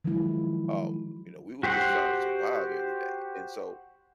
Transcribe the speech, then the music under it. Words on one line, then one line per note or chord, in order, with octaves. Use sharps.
um, you know, we was just trying to survive every day. And so,
D#3 F3 F#3 G#3 E4
F#4 G4 C5 F#5